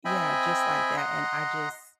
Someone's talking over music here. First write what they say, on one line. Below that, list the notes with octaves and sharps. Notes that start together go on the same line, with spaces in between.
yeah, just like that, and I just
C4 D#5 E5 G5 G#5 B5
D#5 F#5 A#5 C6